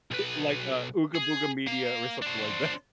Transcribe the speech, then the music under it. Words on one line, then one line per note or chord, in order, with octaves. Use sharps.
Like, uh, Ooga Booga Media or something like that.
B1 B4
G#4
A#3 F5
D4 C5